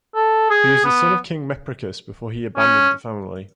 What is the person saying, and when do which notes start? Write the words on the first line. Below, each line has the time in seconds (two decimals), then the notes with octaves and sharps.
He was the son of King Mempricius before he abandoned the family.
0.15 A4
0.50 G#4
0.85 B3
2.58 C#4